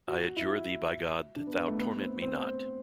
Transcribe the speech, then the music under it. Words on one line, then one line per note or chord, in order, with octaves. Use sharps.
I adjure thee by God, that thou torment me not.
F#4
E4
D4
B3
B3
A3
B3
C4
C4